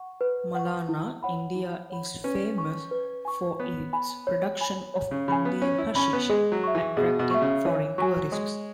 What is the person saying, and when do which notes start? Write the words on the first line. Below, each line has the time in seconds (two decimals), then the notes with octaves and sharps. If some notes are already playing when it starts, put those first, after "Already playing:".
Malana, India is famous for its production of Indian hashish, attracting foreign tourists.
Already playing: F#5 C#6
0.21 B4
0.55 F#5 C#6
0.89 E4
1.23 C#5 F#5 B5
1.56 E4
1.90 C#5 F#5 B5
2.24 C#4 B4
2.57 G#5 C#6
2.91 B4
3.25 G#5 C#6
3.59 B3 C#5
3.93 G#5 B5
4.27 C#5
4.61 G#5 B5
4.94 C#5
5.11 C#3
5.28 C#3 G#5 B5
5.45 B3
5.62 C#4 C#5
5.78 E4
5.95 C#4 G#5 B5
6.13 B3
6.29 G#3 G#4
6.52 F#3
6.64 E5 C#6
6.75 E3
6.97 B2 G#4
7.19 B2
7.31 E5 C#6
7.42 C#3
7.65 E3 C#5
7.98 F#3 G#5 C#6
8.32 G#3 C#5